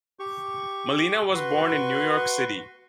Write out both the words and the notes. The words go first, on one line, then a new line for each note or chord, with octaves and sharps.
Malina was born in New York City.
G4 C#6
F#4 B4 C6 C#6